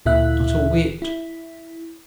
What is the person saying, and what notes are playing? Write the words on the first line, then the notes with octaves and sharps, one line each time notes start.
"Not a whit."
D2 A#2 E4 E5 F#6
E4